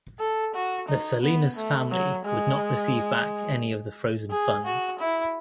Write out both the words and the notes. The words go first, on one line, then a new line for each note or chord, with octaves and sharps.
The Salinas family would not receive back any of the frozen funds.
A4
F#4
D#4
B3
A3
F#3
G#3
G#4
F#4
E4